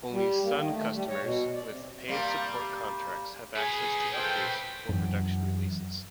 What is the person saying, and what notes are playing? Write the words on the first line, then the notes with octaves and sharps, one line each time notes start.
Only Sun customers with paid support contracts have access to updates for production releases.
G3
A#3
D#3
A3
G3
C#5
B2
D5
C3
C3 G3 A#3
G#4 B4 C#5
F4 A4 C5 G5
F#2 E3